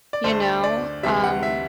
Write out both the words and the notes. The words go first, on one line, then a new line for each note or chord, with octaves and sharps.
You know? Um
D5
D2 D3 A3 D4 C5
D5
D2 C3 E3 G3 E5
F#5
E5